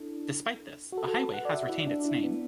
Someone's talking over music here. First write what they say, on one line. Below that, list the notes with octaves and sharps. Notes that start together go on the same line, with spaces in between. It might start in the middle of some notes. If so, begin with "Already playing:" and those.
Despite this, the highway has retained its name.
Already playing: D4 E4 A4
F#4
A4
A4
B4
F#5
D5
E5
E4
D4
E4
B3